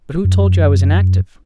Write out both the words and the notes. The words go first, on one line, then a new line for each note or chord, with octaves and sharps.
"But who told you I was inactive?"
F#2